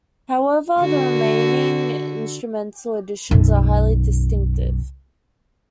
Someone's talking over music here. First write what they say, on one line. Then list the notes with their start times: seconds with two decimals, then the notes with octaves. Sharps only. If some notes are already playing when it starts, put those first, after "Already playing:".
However the remaining instrumental additions are highly distinctive.
0.80 D3 F#4
3.31 B1 F#2